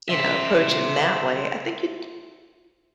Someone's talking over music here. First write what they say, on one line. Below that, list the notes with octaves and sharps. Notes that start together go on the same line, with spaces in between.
you know, approach it in that way, I think it
C5 E5